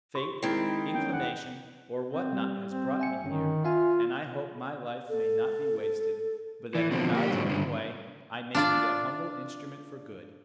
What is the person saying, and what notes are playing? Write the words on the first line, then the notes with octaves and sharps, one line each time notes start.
Fate, inclination, or what not has brought me here, and I hope my life may not be wasted, but that in God's own way, I may be a humble instrument for good.
G4 C6 C#6
D#3 G#3 C4 E4
B3 C#4 G5
E2 E3 F#5
C4
G3 G4
C4
E5 G#5 C#7
G1 D#3 C#4
F4 E5 F5 G#5
A4
E3
B2 D3 F3 C4
A#3 G4
G#2 D3 F#3
G2 D3
D4 F4 D5